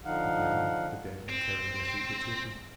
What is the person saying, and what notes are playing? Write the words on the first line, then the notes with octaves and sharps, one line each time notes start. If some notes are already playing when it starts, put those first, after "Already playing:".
But now the dead had carried their secrets with them.
D3 F3 D#4 F5 F#5
C4